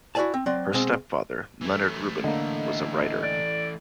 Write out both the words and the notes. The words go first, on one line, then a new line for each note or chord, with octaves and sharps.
Her stepfather, Leonard Rubin, was a writer.
E4 F#4 A4 D5 G#5 A5
C4
F#3 C4 D5 C6
B2 G#3 C4
E3 A3
D3 A#3 D#5
D5